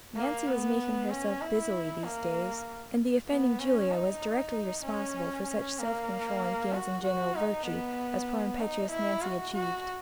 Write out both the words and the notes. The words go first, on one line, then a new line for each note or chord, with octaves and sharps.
Nancy was making herself busily these days, and the offending Julia was directly responsible for such self-control and gains in general virtue as poor impetuous Nancy achieved.
A#3
B3
C#4
E4
A#3
B3
C#4
D#4
C#4
C#4
A#3
F#4
F#4
D#4
B3
D#4
E4
F#4
F#4